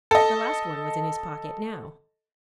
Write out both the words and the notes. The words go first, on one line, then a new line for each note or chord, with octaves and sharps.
The last one was in his pocket now.
A4 D#5